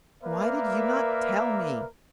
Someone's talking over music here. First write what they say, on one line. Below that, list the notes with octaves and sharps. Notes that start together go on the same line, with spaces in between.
"Why did you not tell me?"
A#3 A#4 B4 D5 E5